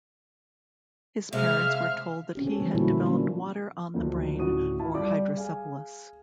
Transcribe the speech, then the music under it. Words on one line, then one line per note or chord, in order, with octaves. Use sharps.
His parents were told that he had developed "water on the brain" or hydrocephalus.
C3 G#3 E5 F5 F6
C4 C#4 G4
D4 G4 A4 C#5
E3 F3 G3 A3 B3 C4
A#2 D3 G3 A#3 E4 F#4
D4
F3 F#3 A#3 C#4 D4 F4
D2 D#3 F3 F#3 A#3
D2 A2 C#4 F#4 D#6 D#7
E4 F4 F5 A5
G3 D5 D6
G#4 F5 G#5